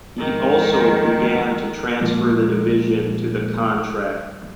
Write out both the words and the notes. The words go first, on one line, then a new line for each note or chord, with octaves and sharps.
He also began to transfer the division to the "contract".
F2 G#2 D#3
A#2 F3 G#3 A#3